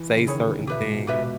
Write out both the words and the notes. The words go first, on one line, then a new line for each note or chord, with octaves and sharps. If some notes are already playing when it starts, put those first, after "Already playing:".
say certain things,
Already playing: E3
C#3
D#3 E4 G#4 C#5
D#3
C#3
A#2 G4 B4 E5
G#2
B2
B2 G4 B4 E5